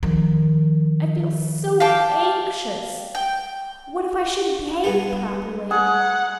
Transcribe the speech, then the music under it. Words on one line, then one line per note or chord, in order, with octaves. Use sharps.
I feel so anxious. What if I shouldn't behave properly?
D#3 F3
F5 G5 A5 D6
G5
G2 B3 A4
G#4 F#5